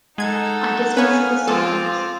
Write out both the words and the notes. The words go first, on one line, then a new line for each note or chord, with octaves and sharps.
I dismissed the servants.
G#3 D#4 A4 F#5 G#6
B3 B4 C#5 F5 G#5
F3 C4 F4 A4 D6